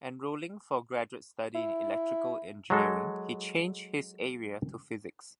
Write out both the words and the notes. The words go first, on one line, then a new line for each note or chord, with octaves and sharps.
Enrolling for graduate study in electrical engineering, he changed his area to physics.
E4
F#3 G#3 A4